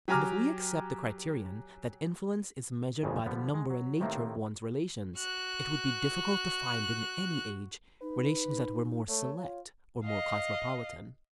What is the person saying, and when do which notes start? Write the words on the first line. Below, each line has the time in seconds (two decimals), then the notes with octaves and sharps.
And, if we accept the criterion that influence is measured by the number and nature of one's relations, it would be difficult to find in any age relations that were more select or more cosmopolitan.
0.08 F#3 G4 G#5 A#5 D6 F6
3.03 G#1 F2 A#2 C#3 F3 G#3
3.26 D3 F3 G3 B3
3.54 G#3
3.70 F#3
4.00 A2 C3 D#3 A3 A#3 C4
5.17 F#4 F#6
8.02 D#4 B4
9.08 A3 C#5
9.38 F4
10.05 D#5 F5